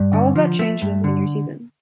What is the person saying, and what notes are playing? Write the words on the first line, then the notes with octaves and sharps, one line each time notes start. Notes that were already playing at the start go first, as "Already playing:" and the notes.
All of that changed in his senior season.
Already playing: G2
D3
F3
A3
G2
D3